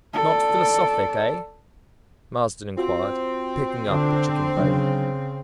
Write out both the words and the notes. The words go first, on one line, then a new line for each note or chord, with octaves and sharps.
"Not philosophic, eh?" Marsden inquired, picking up a chicken bone.
A4 D5
C4 F4 F#4 C5
D3 D4
C#3 F#3 D4